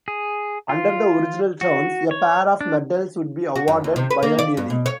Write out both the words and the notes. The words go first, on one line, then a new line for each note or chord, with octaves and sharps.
Under the original terms, a pair of medals would be awarded biennially.
G#4
F4
F#4
C#5
D4
F#4
F#2
D#2
C3
B4
A#3
D5
G2
B2
C#5